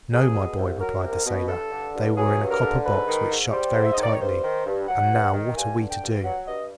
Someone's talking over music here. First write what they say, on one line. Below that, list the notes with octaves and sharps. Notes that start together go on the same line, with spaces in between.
"No, my boy," replied the sailor; "they were in a copper box which shut very tightly; and now what are we to do?"
C2 G#4
B2
C2
F#3 A#4
C2
B2
G2 A4
D3
G2
F#3 G#4
G2
A#4
D3
G#2 B4
D#3
G#2
G3 C5
G#2
E5
D#5
D#3 D5
C#5
G2 C5
D#3
G2
F#3 F#5
G2
D#3
G2 G#5
D3
G5
G2
F#3 F#5
G2 D#5